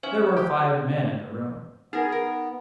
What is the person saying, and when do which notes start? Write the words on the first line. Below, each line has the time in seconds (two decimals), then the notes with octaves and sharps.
There were five men in the room.
0.03 C#4 C5 E5
0.36 G4
1.93 B3 D#4 G#4 A#4
2.12 A#4